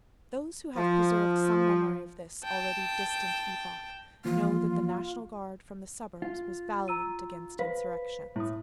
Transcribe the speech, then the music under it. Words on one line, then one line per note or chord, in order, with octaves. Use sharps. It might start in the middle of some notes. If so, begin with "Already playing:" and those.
Those who have preserved some memory of this already distant epoch know that the National Guard from the suburbs was valiant against insurrections.
F3
G5 A5
E3 F3 A#3 F4
F4
A#5 E6 D#7
B4 C5 F5
A2 E4 D#6